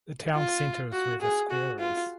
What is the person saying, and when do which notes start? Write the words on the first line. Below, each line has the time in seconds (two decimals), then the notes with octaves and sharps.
The town centre is where The Square is.
0.35 F4
0.93 F#4
1.21 G#4
1.51 F#4
1.79 F4